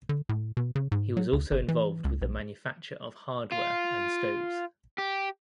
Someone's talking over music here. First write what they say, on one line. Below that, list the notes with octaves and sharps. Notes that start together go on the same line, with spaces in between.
He was also involved with the manufacture of hardware and stoves.
D3
A2
B2
C#3
G#2
F#3
D2
G1
E3
C#2
B1
F4
G4